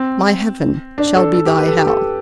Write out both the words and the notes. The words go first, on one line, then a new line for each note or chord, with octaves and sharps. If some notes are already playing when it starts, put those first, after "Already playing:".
My heaven shall be thy hell.'
Already playing: C4
D4
A4
A4
G4
B4
A4
G4
A4